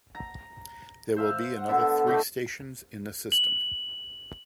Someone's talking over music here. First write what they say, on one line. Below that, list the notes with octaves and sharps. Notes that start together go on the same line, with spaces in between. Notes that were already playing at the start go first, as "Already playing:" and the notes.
There will be another three stations in the system.
A#5
C5 E5 F5
F#5
D3 B3 A4 E5
A2 A3 G4 D#5
F#7